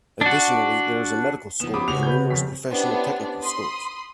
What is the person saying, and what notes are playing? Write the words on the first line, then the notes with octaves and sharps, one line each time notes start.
Additionally, there is a medical school and numerous professional technical schools.
D4 F#4
F3 B3 E7
C#4 G4 B5 D6 D#6
C#3 C#4 F#4 F7
B4 G6
D#1 F2 B6
B3 C#4 D4 E4 G4 C5
B5 C6 D#6